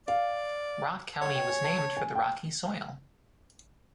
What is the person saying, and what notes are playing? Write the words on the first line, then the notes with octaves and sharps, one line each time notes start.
Rock County was named for the rocky soil.
D5 F5
C#5 F#5
G5
G#5
A5
A5
G#5
G5